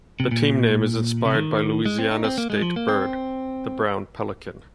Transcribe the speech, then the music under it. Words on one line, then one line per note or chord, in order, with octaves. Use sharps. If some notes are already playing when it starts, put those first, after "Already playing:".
The team name is inspired by Louisiana's state bird, the brown pelican.
C3
A#2
C3
D#3
G#3
C4
D#4
C4
A#3
G#3
F3
A#3
C4